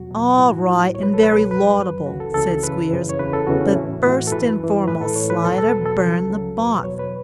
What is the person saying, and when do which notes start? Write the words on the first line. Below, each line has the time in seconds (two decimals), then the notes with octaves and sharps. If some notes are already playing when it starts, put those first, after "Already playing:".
'All right, and very laudable,' said Squeers. 'But, first and foremost, Slider, burn the box.
Already playing: E2 B2 F#3 F#4
0.10 E2 B2 F#3
0.38 A2 F#3 E4
0.52 F#4
0.66 A2 F#3
0.94 C#2 B2 F#3 C#5
1.03 B4
1.14 A4
1.22 C#2 B2 F#3 B4
1.51 F#2 F#3 B4
1.78 F#2 F#3
2.06 C#2 C#3 E3 F#4
2.20 A4
2.34 C#2 C#3 E3 A4
2.62 F#2 C#3 E3 B4
2.91 F#2 C#3 E3
3.09 C#5
3.19 E2 C#3 E3 B4
3.33 A4
3.47 E2 C#3 E3 F#4
3.61 C#4
3.75 A2 E3 E4
4.03 A2 E3 F#4
4.27 A4
4.32 F#2 E3 B4
4.59 F#2 E3
4.87 A2 E3 B4
5.01 A4
5.16 A2 E3 C#5
5.30 B4
5.44 E2 B2 F#3 A4
5.58 A4
5.72 E2 B2 F#3 B4
5.86 A4
6.01 C#2 C#3 F#3
6.29 C#2 C#3 F#3
6.56 E2 B2 F#3 B4
6.84 E2 B2 F#3 C#5
6.99 B4